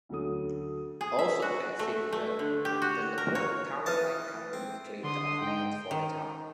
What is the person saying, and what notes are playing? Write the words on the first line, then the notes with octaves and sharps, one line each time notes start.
Also that same year, the Laporte Townsite Company claimed of land for the town.
D2 F#3 A3 D#6
G#4
E5
F#4
A3
A3
D3
G4
F#4
A#4
C#5
E3 B4 D#5 A5 D#6
C4
D3 C6 D#6
G#2 G5
D#3